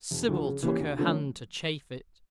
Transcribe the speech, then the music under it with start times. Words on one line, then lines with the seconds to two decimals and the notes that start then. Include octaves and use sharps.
Sybil took her hand to chafe it.
0.11 E1
0.28 D2 D3 F3
0.45 C#3
0.63 E3 A#3 C#4 G4
0.80 D2
0.99 D3 F3 A3 C#4